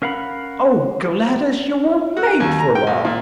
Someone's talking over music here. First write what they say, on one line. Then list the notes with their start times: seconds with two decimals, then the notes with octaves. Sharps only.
Oh, Gladys, you were made for love!
0.02 C#4 A#4 F5 F#5 B5
2.17 F#4
2.40 D#2
2.59 A#5
2.75 G5
2.87 A#1
3.05 A#2